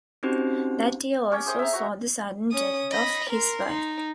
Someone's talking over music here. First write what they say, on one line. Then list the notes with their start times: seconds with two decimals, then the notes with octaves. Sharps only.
That year also saw the sudden death of his wife.
0.23 C4 C#4 D#4 F#4 G4 C5
1.31 C#4 G4 C#5 C#6
1.46 G#4 C5 G5 D#6
1.59 E5 A#5
1.73 F#4 A#5 C#6
2.52 C#4 D#6
2.92 D#5 B5
3.30 A#4 C6
3.69 D#4